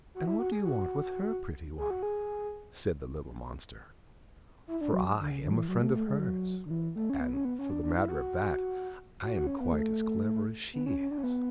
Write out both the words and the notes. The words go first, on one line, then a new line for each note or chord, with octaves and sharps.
"And what do you want with her, pretty one?" said the little monster, "for I am a friend of hers, and, for the matter of that, I am quite as clever as she is."
F#4
E4
F#4
G#4
F#4
G#4
F#4
G#4
E4
D4
F#3
D3
C#3
D3
F#3
E3
F#3
A3
A3
G#3
F#3
D3
E3
A3
C#4
B3
C#4
B3
C#4
D4
D4
E4
F#4
F#4
F#4
C#4
B3
A3
B3
C#4
C#4
D4
C#4
B3